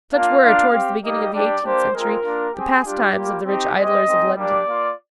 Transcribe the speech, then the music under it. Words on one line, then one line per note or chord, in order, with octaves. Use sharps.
Such were, towards the beginning of the eighteenth century, the pastimes of the rich idlers of London.
A#3 D4 F4 F5
A#3 D4 F4
C4 G4
G3 A#3 D#4 G4 D#5
G3 D4 G4 D5
A#3 D4 G4 C5
G#3 C4 F4 A#4
A#3 D4 F4
C4 G4 G#4
G3 D4 F4 G4
G3 A#3 F4
C4 D#4 G4
G#3 C4 G4 D#5
G#3 C4 D#4
G3 A#3 D4 G4 D5
A#3 F4